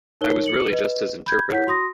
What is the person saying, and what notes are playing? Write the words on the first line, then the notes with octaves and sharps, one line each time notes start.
I was really just his interpreter.
D#4 A#4 C#5 G7
A4 C#7 F#7
B4 D#5
B5 G6 G#6
E4 C#5 F#5 G6 B6
F#4 C6 D#6 A#6